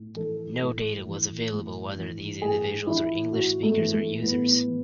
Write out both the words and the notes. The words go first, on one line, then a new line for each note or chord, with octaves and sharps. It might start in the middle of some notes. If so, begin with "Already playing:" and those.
No data was available whether these individuals were English speakers or users.
Already playing: A2
E3 A4
A2
E3
A2
E3
A2 G#4
E3 E4
A2 F#4
A3
E3
A3
A2 B3
E3